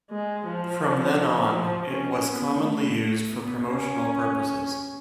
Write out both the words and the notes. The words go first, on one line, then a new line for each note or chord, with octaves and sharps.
From then on it was commonly used for promotional purposes.
G#3
F3
F3
C#4
B3
A3
A3
B3
C#4